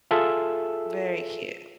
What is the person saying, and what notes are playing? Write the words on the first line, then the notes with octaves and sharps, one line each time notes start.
Very cute.
F4 G#4 A4 E5 E6